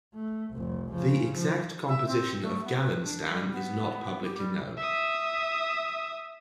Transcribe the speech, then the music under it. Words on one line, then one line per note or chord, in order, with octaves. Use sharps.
The exact composition of Galinstan is not publicly known.
A3
F1 C2
C#3 F3
F3
E5
C4
A3
B3
B4
D4
G3
B3
G4
G3
E5 D#6